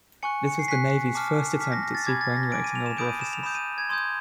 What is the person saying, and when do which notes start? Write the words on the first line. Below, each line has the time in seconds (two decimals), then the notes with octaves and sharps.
This was the Navy's first attempt at superannuating older officers.
0.23 G#5 C#6 F#6 C#7
0.48 C#7
0.59 C7
0.68 G#5 C#6 F#6 B6
1.15 A5 D6 F6
1.61 A5 D6 F6 B6
1.72 A#6
1.83 A#6
1.95 A6
2.06 G#5 B5 D6 G#6
2.21 A6
2.37 A#6
2.52 G#5 B5 D6 D7
2.64 D#7
2.75 F7
2.86 E7
2.98 B5 D#6 G6 D7
3.09 D#7
3.21 E7
3.33 F7
3.43 B5 D#6 G6 E7
3.55 D#7
3.78 G#6
3.89 C6 D#6 G6 G#6